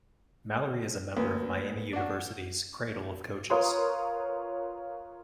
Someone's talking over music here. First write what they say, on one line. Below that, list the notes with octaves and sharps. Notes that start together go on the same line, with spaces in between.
Mallory is a member of Miami University's Cradle of Coaches.
D2 A#3 B4
D4 F#4
F4 A#4 B4 C#5 C6 D#6